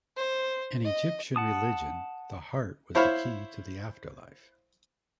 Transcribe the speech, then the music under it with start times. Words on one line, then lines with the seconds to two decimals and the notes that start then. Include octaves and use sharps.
In Egyptian religion, the heart was the key to the afterlife.
0.17 C5
0.85 D#5
1.36 F#5 A5 D#6
2.95 E4 C5 C#5 F5 B5